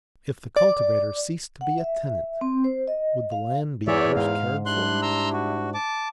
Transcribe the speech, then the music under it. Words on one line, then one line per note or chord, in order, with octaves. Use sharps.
If the cultivator ceased to be a tenant, would the land be worse cared for?
D5
F#5
E5
C4
C5
D#5
F5
E2 E3 C#5 D5 E5
G#2 F5
G3 D4 E4 C6 F#6
A#5 C6 E6
F#4
A5 D6